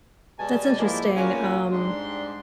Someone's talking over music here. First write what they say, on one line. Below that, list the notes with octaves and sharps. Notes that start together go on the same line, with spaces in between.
That's interesting, um,
B2 G3 G#3 G#5 A5
A2 F3 G#3 A#3 E4 G4
G3 A#3 C#4 F4 F#4
G#2 G3 G#3 D4 G4 C6